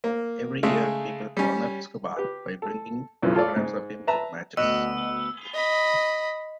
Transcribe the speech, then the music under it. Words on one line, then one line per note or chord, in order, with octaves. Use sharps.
Every year people honour Escobar by bringing photographs of him to matches.
A#3
C#3 G#3 A3
G3 C#4
G4 B4
A4
B1 F#2 E3 F3
F4 A4 C#5 D5
G#2
B4 E5 A5 A#5
D2 B3 F#4 D#5 E6
D#5 B5